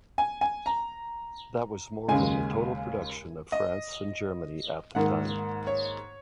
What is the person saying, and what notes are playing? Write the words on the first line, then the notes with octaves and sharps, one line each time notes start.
That was more than the total production of France and Germany at the time!
G#5
G#5
A#5
D#2 C#3 G#3 G#5
D#5
G#2 D#3 A#3 F#5
C#5